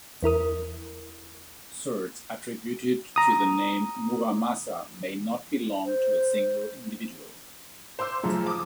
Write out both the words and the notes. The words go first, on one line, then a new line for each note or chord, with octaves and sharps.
Swords attributed to the name Muramasa may not belong to a single individual.
E2 E4 A#4 D#6
A#5 D#6
C5
C5 C6 D6 E6
F#2 C#3 F3 A3 A5
D6 D#6